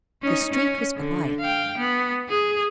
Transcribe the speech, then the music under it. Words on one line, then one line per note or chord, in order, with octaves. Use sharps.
The street was quiet.
C#4 D#4
C#4
D3
F5 G5
B3
G#4